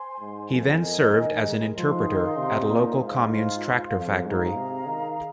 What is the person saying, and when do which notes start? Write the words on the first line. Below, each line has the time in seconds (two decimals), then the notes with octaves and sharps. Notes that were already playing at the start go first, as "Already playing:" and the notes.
He then served as an interpreter at a local commune's tractor factory.
Already playing: C5 G#5 C6
0.20 G#2
0.52 F2 A#4 D#5 G#5
0.83 F2
1.14 D#3
1.46 G#3
1.76 F3 D#4 G#4 F5 C6
2.07 D#3
2.38 C3
2.69 A#2
3.01 G#2 F4 C5 F5
3.94 F2
4.25 G#2 G#4 F5 A#5
4.56 C3
4.87 D#3